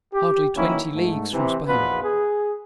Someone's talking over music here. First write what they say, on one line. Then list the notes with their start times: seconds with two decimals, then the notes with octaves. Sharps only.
Hardly twenty leagues from Spain!
0.13 G4
0.56 D#3 E3 F#3 A#3 C#4 E4
0.95 G#2 A3
1.33 C3 E3
1.67 A#1 E2 B2 B3 F4 B4
2.04 G#4